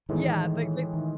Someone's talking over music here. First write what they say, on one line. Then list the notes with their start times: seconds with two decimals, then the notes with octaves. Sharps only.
Yeah, like they
0.09 A2 D#3 E3 G#3
0.93 D#3